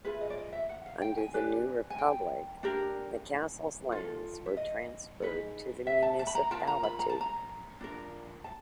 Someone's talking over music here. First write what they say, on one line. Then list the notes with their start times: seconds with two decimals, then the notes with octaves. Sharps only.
Under the new Republic, the castle's lands were transferred to the municipality.
0.05 F4 G#4 B4 E5
0.21 D#5
0.30 D5
0.38 D#5
0.53 E5
0.69 F#5
0.86 F5
1.01 G5
1.18 G#5
1.34 D4 G4 B4
1.90 G#5
1.98 G5
2.63 D4 G4 A#4
3.92 F4 A4
4.46 E5
4.57 D#5
5.22 D#4 G#4 B4
5.87 E5
6.03 A5
6.19 A5
6.27 B5
6.35 A#5
6.51 F4 A#4 A5
6.67 A#5
6.83 B5
6.99 A#5
7.09 A5
7.21 A#5
7.81 D4 F4 A#4
8.44 A5